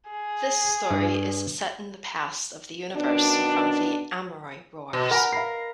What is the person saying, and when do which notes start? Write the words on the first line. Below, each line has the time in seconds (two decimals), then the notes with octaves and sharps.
This story is set in the past of the universe from the Amory Wars.
0.11 G#4
0.91 G2
2.96 F#2 B2 D#3 D4
4.93 B2
5.11 A#4 F#5 G#5 B5
5.32 F5 B5 C7